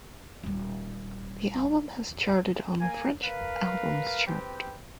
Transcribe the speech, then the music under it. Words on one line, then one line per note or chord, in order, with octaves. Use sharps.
The album has charted on the French Albums Chart.
D#1 G3
A#3 G#5
A#4 B4 F5
C4 G4 B4 G5